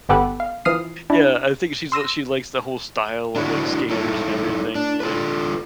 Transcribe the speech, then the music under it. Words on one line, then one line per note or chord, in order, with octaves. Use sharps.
Yeah, I think she's l she likes the whole style of, like, skaters and everything, like,
G1 B3 G4 A4 B4 F#5
F5
E3 F3 D#6 F6 C7
D4 E4
C6 E6 A#6 D#7
D4 E4 F#4 B4 C#5
D#4 E4 A4 C#5
D4
F4 A4 B4